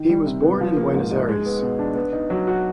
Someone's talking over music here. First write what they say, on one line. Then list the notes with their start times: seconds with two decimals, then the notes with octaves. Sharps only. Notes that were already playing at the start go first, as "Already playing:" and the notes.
He was born in Buenos Aires.
Already playing: D#3
0.09 G3
0.26 C3
0.43 B3
0.61 F3
0.77 A#3
0.94 G#2
1.11 D#4
1.29 G#3
1.45 B3
1.62 B2
1.79 D4
1.96 B3
2.13 D#4
2.30 F#3
2.47 F#4